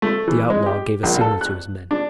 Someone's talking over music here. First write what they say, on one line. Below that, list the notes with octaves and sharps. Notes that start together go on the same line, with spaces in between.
The outlaw gave a signal to his men.
A3
E3
G#3
G4
A#1
A4
F#6
D4